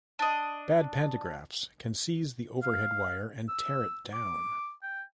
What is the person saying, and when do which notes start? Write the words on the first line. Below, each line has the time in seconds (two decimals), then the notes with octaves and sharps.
Bad pantographs can seize the overhead wire and tear it down.
0.19 D4 D#5
2.63 F5
3.49 E6
4.13 D6
4.82 G5